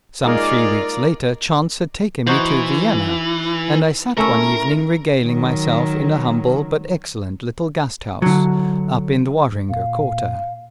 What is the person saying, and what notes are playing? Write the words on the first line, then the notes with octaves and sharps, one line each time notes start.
Some three weeks later chance had taken me to Vienna, and I sat one evening regaling myself in a humble but excellent little Gasthaus up in the Wahringer quarter.
G#3 A#3 D#4 F4 A#4 D5 D#6
E3 D#4 F#4 C5
A3 C#4 E4 A#4
D#3 F#3
D3 F#3
A#2 F5